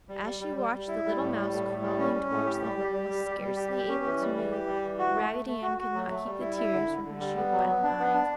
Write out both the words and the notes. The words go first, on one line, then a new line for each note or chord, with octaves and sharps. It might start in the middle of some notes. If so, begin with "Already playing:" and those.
As she watched the little mouse crawling towards the hole scarcely able to move, Raggedy Ann could not keep the tears from her shoe-button eyes.
G3
G3
G3
G3
G3
E4
G3
A2
G3
A2
A2
G3
C#4
C#4
A2
G4
G3
G3
G4
G3
G3
G3
G4
G4
C#4
E3
G3
E3
G4
G3
E3
F#4
A3
A3
A3
F#4
F#4
F#3
A3
G3
E4
E4
D3
D3
D3
G3
B3
F#3
B3
D4
B3
D4